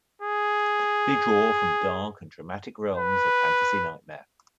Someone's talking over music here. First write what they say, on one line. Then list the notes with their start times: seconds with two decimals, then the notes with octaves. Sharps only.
They draw from dark and dramatic realms of fantasy nightmare.
0.22 G#4
2.97 B4